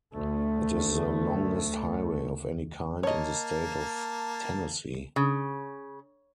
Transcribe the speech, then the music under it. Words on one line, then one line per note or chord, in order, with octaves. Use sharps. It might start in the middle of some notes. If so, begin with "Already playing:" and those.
It is the longest highway of any kind in the state of Tennessee.
D2 A3
A#3 C#5 D#5 A5
C#3